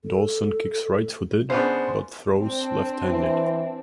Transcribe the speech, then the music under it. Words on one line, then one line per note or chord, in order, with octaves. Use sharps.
Dawson kicks right-footed but throws left-handed.
A4
C#3 B3 D4 C5
C4 D4
E3